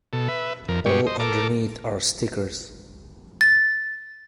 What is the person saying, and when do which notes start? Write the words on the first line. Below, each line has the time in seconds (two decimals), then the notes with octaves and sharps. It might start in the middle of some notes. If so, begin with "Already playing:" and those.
All underneath are stickers.
0.13 B2 A4
0.28 B4 E5
0.68 F2 A#4
0.86 G2 G#3 G4 C#6
1.07 C5 D#5
1.20 A4 A#4 D6
3.41 A6